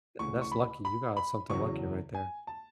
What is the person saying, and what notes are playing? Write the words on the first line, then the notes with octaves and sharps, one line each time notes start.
tha that's lucky. You got something lucky right there.
D2 C#3 E3 C#6
C#6
B5
B5
B5
E2 C#3 F#3 C#6
G#5
A5